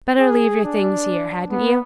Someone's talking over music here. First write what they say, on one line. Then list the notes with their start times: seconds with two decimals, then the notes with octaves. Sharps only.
Better leave your things here, hadn't you?
0.20 G#4
0.64 D4
1.50 B3